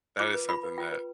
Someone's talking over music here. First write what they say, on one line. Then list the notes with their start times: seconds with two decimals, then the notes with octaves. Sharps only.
that is something that
0.20 F4 D6
0.34 B4
0.49 F4 B5
0.63 B4
0.78 F4 G5
0.92 B4